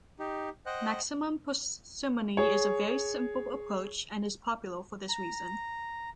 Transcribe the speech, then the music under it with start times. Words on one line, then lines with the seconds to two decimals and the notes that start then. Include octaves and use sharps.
Maximum parsimony is a very simple approach, and is popular for this reason.
0.19 D#4 G4
0.66 C5 D#5 F#5 G5 F#6
2.37 G#4 C#5
5.09 A#5